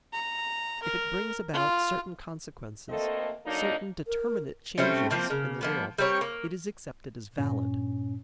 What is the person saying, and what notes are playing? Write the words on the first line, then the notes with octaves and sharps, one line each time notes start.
If it brings about certain consequences, certain determinate changes, in the world, it is accepted as valid.
A#5
A#4
F4
D2 A3 A#3 C4 A4 D#5
D3 F#3 A#3 D4 D#4
A#4
G3 A3 C4 C#4
F3 A#3 C4 E4
C#3 A#3
F3 A#3 B3
G3 A#3 C4 C#5
A#3
G2 A#2 C#4